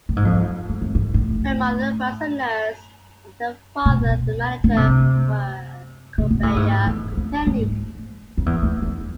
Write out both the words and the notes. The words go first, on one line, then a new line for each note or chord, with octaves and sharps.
Her mother was a nurse, and her father a manager for a conveyor company.
A2
G#2
F2
G#2
F2
G#2
A2
B2
D3
C3
C3
B2
A2
G#2
E2
F2
G#2
F2
E2
E2
E2